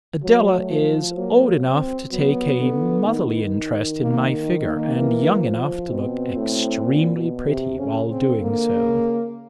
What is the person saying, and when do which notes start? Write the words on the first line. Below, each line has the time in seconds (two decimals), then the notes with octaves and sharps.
Adela is old enough to take a motherly interest in my figure, and young enough to look extremely pretty while doing so.
0.23 F#3 A3
0.70 F3
1.17 F#3 A#3
1.65 C4
2.11 F#3 B3
2.59 D3
3.06 D#3
4.01 A#3
4.64 A#3
4.96 E3
5.42 F3
5.90 B2 C4
6.37 A2
6.85 A#2
7.16 B2
7.47 C3
7.78 C#3 C#4
8.10 C4
8.25 D3
8.41 A#3
8.73 C#3